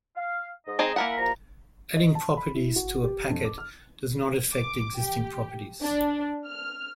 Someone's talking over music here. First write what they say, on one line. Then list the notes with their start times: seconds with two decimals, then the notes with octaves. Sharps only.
Adding properties to a packet does not affect existing properties.
0.16 F5
0.66 G#2 D#5
0.79 C4 D#4 G#4
0.96 A#3 E4 A#4 F#5 G#5 B5
1.18 C2 F3 A#5
1.97 D#5
2.15 A5
2.37 B5
2.55 E4
2.76 F#4
3.03 G4
3.30 F2
3.45 D6
3.58 F6
4.53 D6
4.96 G4
5.82 D4
6.46 F6